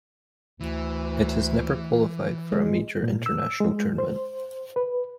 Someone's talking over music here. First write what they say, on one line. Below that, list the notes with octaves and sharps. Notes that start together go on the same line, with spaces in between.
It has never qualified for a major international tournament.
D2 E3
G#3
A#2
E6
G#3
C5
B4